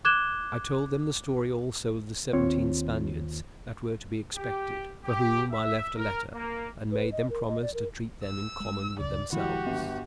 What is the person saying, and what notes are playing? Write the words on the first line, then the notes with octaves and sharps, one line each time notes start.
I told them the story also of the seventeen Spaniards that were to be expected, for whom I left a letter, and made them promise to treat them in common with themselves.
D6 F#6 G#6 E7 G7
D#2 C4 F4 C#5
G4
G4
E5
A#4
A#3
B4
D#5
A#4
D#5
D5
A#4
E6
G#3
D#1 C#2 C#3 D5
D#3 F3 G#3 E4 F#4 G4
G1